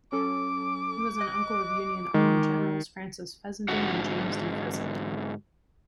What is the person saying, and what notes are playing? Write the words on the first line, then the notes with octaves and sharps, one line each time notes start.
He was an uncle of Union Army generals, Francis Fessenden and James D. Fessenden.
F#3 C#4 A4 D6
D#5 F#6
D#3 G#3
G#2 D3 F#4 F#5